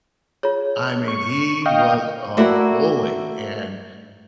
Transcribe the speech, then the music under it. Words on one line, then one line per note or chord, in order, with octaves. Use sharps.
I mean, he was a bully. And,
F4 G#4 C#5
C#6
D#5 F5 G5
A3 A#3 E4 F#4 A#4 D5